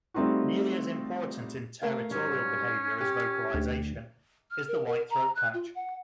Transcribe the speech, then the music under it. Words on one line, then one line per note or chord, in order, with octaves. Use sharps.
Nearly as important in territorial behaviour as vocalization is the white throat patch.
G3 A3 C4 D#4 F4 F#4
A3 A#4 F5
G#2 F#3 G3 C#4
G4
D2
F6
A#4
A#4
A#5
F#6
F4
F#5